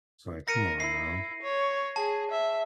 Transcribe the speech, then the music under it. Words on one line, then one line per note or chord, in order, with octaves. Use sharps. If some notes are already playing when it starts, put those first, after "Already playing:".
It's like, come on now,
A#4 A#6 C#7 D#7
E4 C7
C#5
G#4 A5
E5